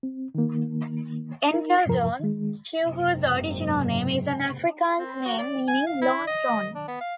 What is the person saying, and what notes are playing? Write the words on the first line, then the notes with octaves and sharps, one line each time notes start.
Enkeldoorn, Chivhu's original name, is an Afrikaans name meaning "lone thorn".
C4
D#3 A#3
D#4 A#4
E2 G2 C3 F3 A#4
D#3 G#3
F#1 G#2 C3
C4
F#4
D5
G#5
F5
E4
D#5
D4
B3
F5